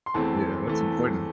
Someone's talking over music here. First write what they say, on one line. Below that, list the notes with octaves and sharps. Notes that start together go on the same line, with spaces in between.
Yeah, that's important.
C6
E2 E3 A3 C4 A5
E3 A3